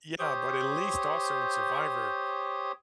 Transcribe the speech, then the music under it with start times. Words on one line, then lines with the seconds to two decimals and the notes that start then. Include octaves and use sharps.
Yeah, but at least also in survivor,
0.19 G4 C5 C#5 D#6